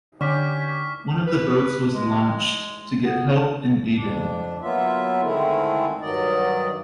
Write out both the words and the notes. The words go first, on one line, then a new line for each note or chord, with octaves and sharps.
One of the boats was launched to get help in Aden.
D3 C#4 G4 C#6 F6 B6
B4
G#3
B3
F2 D4
F#3 A#3 B3 F4 E5
D3 D#3 G#3 A3 C4 E4
G2 D#3 F#3 D5 D#5